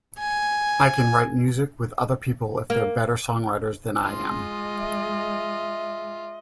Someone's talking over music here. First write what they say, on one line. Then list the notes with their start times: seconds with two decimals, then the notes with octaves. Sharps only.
I can write music with other people if they're better songwriters than I am.
0.19 G#5
2.70 A#3
4.03 G#3 F4 D#5 C6
4.79 E5